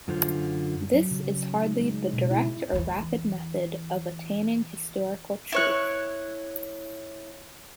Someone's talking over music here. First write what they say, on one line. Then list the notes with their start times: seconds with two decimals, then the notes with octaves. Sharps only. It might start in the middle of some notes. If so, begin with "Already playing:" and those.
This is hardly the direct or rapid method of attaining historical truth.
0.08 F#2 D3 F4 C5
0.94 F#3
1.11 C#3
1.62 D#4
1.81 G#3
2.13 B2
2.31 E4
2.73 E2 E3
5.52 E4 C#5 F#6